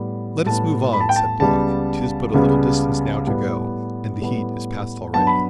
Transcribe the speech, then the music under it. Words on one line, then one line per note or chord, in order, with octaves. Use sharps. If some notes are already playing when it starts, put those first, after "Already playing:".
'Let us move on,' said Block; 'tis but a little distance now to go, and the heat is past already.
Already playing: A2 G3 B3
A2 G3 B3 A5
B5
A5
G5
A5
C#2 C#3 G3 B3 A5
C#2 C#3 G3 B3
A2 G3 B3
A2 G3 B3
G2 F#3 B3 A5
B5